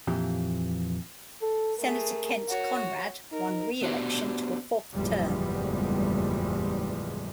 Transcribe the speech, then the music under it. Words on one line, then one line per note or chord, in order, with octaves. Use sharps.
Senator Kent Conrad won re-election to a fourth term.
F2 A#2 E3 G4
A4
A3 G#4 A#4
F#4 C#5
D#4 A#4
B3 D4 F#4 G4 C5
F#1 E2 A2 F3 G3 G#3